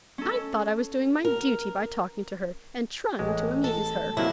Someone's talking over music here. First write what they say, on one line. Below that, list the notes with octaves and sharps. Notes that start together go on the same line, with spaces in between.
'I thought I was doing my duty by talking to her, and trying to amuse her.'
C#4 A4
A#4
A1 G#3
A4
C3 F#3 A#3 E4